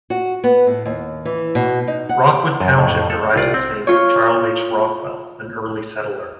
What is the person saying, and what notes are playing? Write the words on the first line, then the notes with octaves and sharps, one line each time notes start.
Rockwood Township derives its name from Charles H. Rockwell, an early settler.
F#4
B3
A2
D#2
E3
B2
D#4
F#5
G4
F#2
F2 A2
A4
C2 F4 D5
C4
F4 C#5